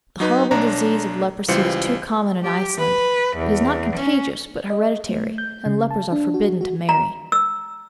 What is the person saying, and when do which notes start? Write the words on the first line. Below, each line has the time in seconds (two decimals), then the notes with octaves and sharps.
The horrible disease of leprosy is too common in Iceland; it is not contagious, but hereditary, and lepers are forbidden to marry.
0.20 F#3 D#4 B4
0.51 B1 D4 C#5 A#5
1.48 C#2 E3 G3 F4 C5 C#7
2.42 G4
2.79 B4
3.37 E2
3.96 C#4
4.70 D#5
5.09 A3
5.38 G6
5.66 C#3
5.91 A5
6.12 D4
6.34 F#4
6.61 F#4
6.89 A#5
7.32 E6